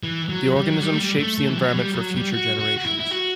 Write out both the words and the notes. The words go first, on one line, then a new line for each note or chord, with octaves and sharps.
The organism shapes the environment for future generations.
E3
F#3
G3
F#3
G3
A3
G3
A3
A3
E3
F#3
G3
F#3
G3
F#4
F#4
F#4
E4
E4
F#4